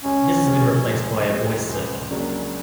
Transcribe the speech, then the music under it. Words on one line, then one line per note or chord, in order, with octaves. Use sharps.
This has been replaced by a voice server.
C#2 C#4
C3 F3 G#3
C#2
C3 F3 G#3
C#2
C#3 F#3 A#3 D4